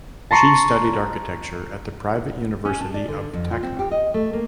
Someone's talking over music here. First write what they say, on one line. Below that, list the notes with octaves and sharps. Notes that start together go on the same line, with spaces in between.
She studied architecture at the Private University of Tacna.
A5 A#5 C6 C#6
C#4
A5
D5
D3
F2
F4
C4
G4
D#5
A3
A#3